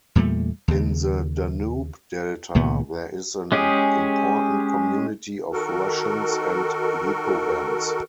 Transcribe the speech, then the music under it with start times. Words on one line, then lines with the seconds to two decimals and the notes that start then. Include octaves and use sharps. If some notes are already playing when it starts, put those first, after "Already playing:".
In the Danube Delta there is an important community of Russians and Lipovans.
0.15 E2 A#2 G3 A3
0.68 D#2 C#3
2.55 C#2 A#2 D#3 B3
3.52 G#3 C#4 G4 G#4
5.52 D#3 F#4 A4 A#4